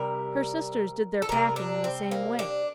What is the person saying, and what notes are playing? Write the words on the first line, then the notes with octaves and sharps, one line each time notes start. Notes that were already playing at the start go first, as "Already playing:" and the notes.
Her sisters did their packing in the same way.
Already playing: C3 G3 A#4
A4
C3 G3 A#4
D4
C4
A#3
D4